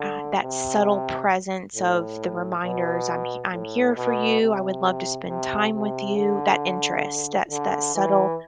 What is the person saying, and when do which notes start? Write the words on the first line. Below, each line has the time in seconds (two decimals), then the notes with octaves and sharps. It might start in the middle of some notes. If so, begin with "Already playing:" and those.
uh that subtle presence of the reminders, "I'm he I'm here for you. I would love to spend time with you." That interest, that's that subtle
Already playing: D3
0.42 C3
1.75 A2
2.64 B2
3.53 A2
3.97 B2
4.41 C3
5.29 C3
5.74 C3
6.17 D3
7.51 D3
7.95 E3